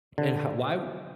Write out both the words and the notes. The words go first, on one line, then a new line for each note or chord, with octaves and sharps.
And ho why
D3